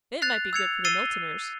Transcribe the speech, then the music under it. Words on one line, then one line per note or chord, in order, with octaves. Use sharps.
'It might be good for the Miltoners.
F#6 A6 C7 F7
E6 G#6 C#7 F7
E6 A6 C7 D#7 G7